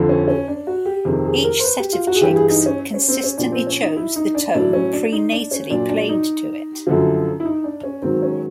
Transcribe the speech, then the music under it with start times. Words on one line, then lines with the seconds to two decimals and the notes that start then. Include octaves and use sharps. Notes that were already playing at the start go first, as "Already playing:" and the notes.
Each set of chicks consistently chose the tone prenatally played to it.
Already playing: F2 D3 F3
0.09 C#4
0.28 C#4
0.48 D4
0.67 F#4
0.86 G4
1.05 F2 C3 D#3 G#4
1.25 G#4
1.44 A#4
1.59 C5
1.64 B4
1.79 G4
1.93 F4
2.07 F#4
2.16 G#4
2.21 G2 E3 G4
2.36 G#4
2.50 D#4
2.66 C#4
2.94 C#4
3.08 C4
3.23 C#4
3.38 A#2 F3 D4
3.52 C4
3.67 C#4
3.82 D#4
3.96 E4
4.16 D#4
4.35 D4
4.54 A2 F#3 D4
4.73 C#4
4.93 D4
5.12 D#4
5.32 D4
5.51 C#4
5.70 A#2 F#3 D4
5.89 D4
6.09 D#4
6.87 F#2 D3 F3
7.40 E4
7.45 D#4
7.64 D4
7.83 C#4
8.02 G#2 D#3 F#3 C4
8.22 C#4